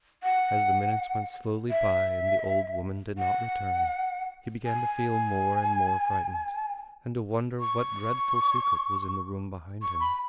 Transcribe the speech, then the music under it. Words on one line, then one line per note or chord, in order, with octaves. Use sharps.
As the minutes went slowly by and the old woman did not return, he began to feel more and more frightened, and to wonder what dreadful secret was in the room behind him.
F#5
E5
F#5
G#5
C#6
C#6
B5